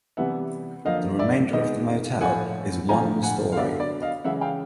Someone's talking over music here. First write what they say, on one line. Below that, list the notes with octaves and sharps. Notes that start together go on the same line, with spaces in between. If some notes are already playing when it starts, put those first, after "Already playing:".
The remainder of the motel is one story.
C3 E3 G3 B3 E5 F#5
D3 F3 A#3 D#5 F5
D5 E5
D#3 G#3 B3 D#5
A2 F3 A3 F#5 G#5
D3 F3 A3 G#5 A#5
F#5 G#5
F5
D3 F#3 B3 D5 E5
D5
D#5 F5
C#3 E3 G#3 E5 F#5
F5 G5